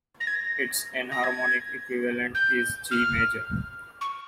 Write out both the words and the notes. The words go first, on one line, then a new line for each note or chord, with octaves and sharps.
Its enharmonic equivalent is G major.
A#6
G#6
A#6
A#6
G#6
G6
F6
C#6